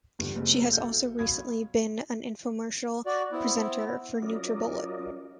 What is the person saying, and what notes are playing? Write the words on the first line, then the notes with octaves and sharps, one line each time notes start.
She has also recently been an infomercial presenter for Nutribullet.
A#1 E2 G2 D3
F#1 C3 G#3
B1 A4 E5 F5 G6
B1 F5 B5 D#6 G#6
F#4 D5
B3 C4 E4
F#3 C#4 F4 A#4 D5 D#5